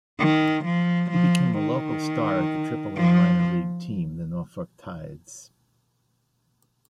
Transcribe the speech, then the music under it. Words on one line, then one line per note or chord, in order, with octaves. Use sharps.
He became a local star at the Triple-A minor league team, the Norfolk Tides.
D#3
F3
F3
D#3
F3